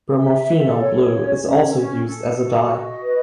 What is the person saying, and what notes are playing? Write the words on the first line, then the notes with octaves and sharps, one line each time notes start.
Bromophenol blue is also used as a dye.
E5
A4
C#5
C#4
C#4
C#4
A4
F#4
D#5
B4